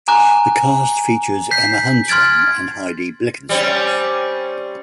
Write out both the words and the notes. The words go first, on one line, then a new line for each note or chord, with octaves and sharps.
The cast features Emma Hunton and Heidi Blickenstaff.
G#5 A#5 D6 F#6
G6 B6 C7
C6 F6 G#6 A6 D7
G3 C4 C#4